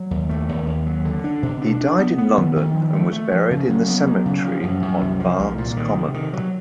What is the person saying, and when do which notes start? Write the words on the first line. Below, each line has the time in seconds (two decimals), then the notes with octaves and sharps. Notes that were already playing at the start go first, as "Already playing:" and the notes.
He died in London, and was buried in the cemetery on Barnes Common.
Already playing: F#3
0.11 D#2
0.29 A3
0.49 D#2
0.67 D#2
0.86 F#3
1.05 D3
1.24 D4
1.43 B2
1.62 D4
1.81 D4
1.99 B3
2.18 B3
2.38 D#3
2.56 D#3
2.75 F3
2.93 A3
3.13 A3
3.32 F3
3.51 C#3
3.69 F#3
3.88 B3
4.07 F#3
4.26 C#3
4.45 F3
4.63 F#2
4.82 F#2
5.01 C2
5.20 F3
5.39 C2
5.58 A#2
5.77 D#3
5.96 C3
6.14 D#3
6.33 F#3